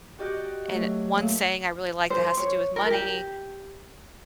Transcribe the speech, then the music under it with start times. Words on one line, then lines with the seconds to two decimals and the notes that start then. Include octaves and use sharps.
and one saying I really like that has to do with money
0.18 F#4 G4 D5 D#5 D#6 F#6
0.67 F#3 A3
1.16 A#2 A3
2.10 C5
2.37 C#5
2.76 A#4
2.90 G4